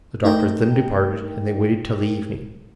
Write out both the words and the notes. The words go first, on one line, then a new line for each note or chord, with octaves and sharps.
The doctor then departed, and they waited till the evening.
A3 D#4 A#4 G5